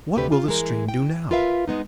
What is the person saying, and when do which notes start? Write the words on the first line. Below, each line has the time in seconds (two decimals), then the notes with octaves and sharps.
What will the stream do now?
0.16 D2 C3 A3 D4 G4 B4
0.32 F4
0.46 E3 G#3 A#4
0.89 G5
1.31 F4 A#4 B4 E5 F5
1.68 G#3 B3 D#4